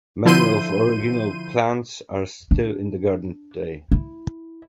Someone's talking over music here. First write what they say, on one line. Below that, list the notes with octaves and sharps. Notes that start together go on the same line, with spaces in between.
Many of the original plants are still in the garden today.
D3 F3 E4 C6 G6 D#7
D4
E4